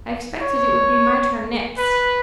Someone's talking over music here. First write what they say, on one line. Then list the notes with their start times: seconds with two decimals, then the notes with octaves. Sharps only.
I expected it would be my turn next.
0.41 C#5
1.78 B4